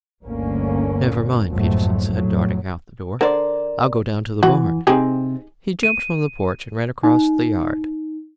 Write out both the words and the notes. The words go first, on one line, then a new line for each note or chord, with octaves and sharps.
"Never mind," Peterson said, darting out the door, "I'll go down to the barn." He jumped from the porch and ran across the yard.
G1 D2 D3 A#3 C#4
F#1 B1 F2 G#2 F#3 A3
A2 F#3
D3 A#4 C5 D5
E3 F#4
C3 C4 D#4 G4 G#4
D#7
D#4